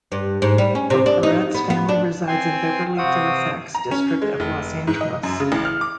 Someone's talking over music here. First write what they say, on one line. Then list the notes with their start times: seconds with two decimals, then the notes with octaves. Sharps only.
The Koretz family resides in the Beverly-Fairfax District of Los Angeles.
0.12 G2
0.42 G#2
0.58 G3
0.75 C#4
0.90 C3
1.06 D4
1.23 D#4
1.54 B3
1.70 B3
1.89 D4
2.28 C4 G5 G#5 C6
2.97 C3 C4 F5 F#5 C#6 D#6
3.75 A#5
3.91 C#4
4.22 G#3
4.40 F1
4.87 G#2
5.01 D#5
5.23 F#2
5.40 C#3
5.52 A1
5.65 F6
5.81 D6